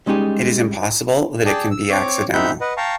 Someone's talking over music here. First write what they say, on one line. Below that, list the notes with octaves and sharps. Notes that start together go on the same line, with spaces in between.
It is impossible that it can be accidental!
G3 G#3 C#4 D#4 G4 G#4
G#4 D5 G5 A5
E6
C4 C#5 D6
C4 D#4 E5 F#5 B5 G6
B4 D#5 F#5
F5 G5 A5 A#5 C#6